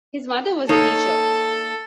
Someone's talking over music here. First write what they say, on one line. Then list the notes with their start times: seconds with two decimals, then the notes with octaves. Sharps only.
His mother was a teacher.
0.69 A#3 D#4 A4 C#5